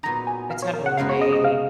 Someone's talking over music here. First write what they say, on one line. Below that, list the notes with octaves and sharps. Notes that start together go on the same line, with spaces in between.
the tabbouleh,
A#2 F#3 B3 D#4 A#5
G#5
F5
C#5
A#4
F#5
F#2 C#3 G#3 B3 F5
C#5
D#5
D#5
F5